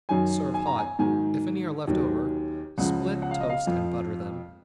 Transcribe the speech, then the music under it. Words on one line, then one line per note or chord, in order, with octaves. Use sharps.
Serve hot. If any are left over, split, toast and butter them.
F#2 D#3 F#3 G#5
G#5
A#5
G#5
G#2 D#3 F#3 G#5
D#2 D#3 F#3
C#2 C#3 F3 F#5
F#5
F5
D#5
F5
F2 F3